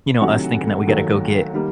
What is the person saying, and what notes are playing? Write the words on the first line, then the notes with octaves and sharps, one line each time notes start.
you know, us thinking that we gotta go get,
D2 C3 D#3 F#3 A3 F#5
D#2 D#3 F#3 A3
D#3 G3 A#3